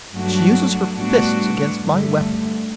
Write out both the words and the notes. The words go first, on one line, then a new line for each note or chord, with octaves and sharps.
She uses her fists against my weapon.
G2 F#3 A3 D4 F#4
A2 G3 B3 D4 F#4
G2 D3 A3